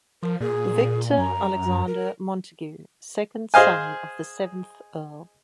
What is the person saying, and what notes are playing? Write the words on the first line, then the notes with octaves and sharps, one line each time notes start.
Victor Alexander Montagu, second son of the seventh Earl.
F3 A#4
A#2 G#4
F#2 A#5
A#4
G#4 C5 D#5 F5 G#5